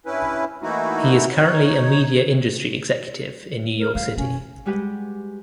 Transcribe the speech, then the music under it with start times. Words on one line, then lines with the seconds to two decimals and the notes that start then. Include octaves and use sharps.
He is currently a media industry executive in New York City.
0.06 G2 C#4 E4 B4
0.62 E3 A3 A#3 D#4 E4 F#4
1.36 D#4 C#5
3.79 A#4
3.95 G3 F5
4.17 F#2 B2 C#4
4.65 G3 G#3 F#4 G4 B4 F#5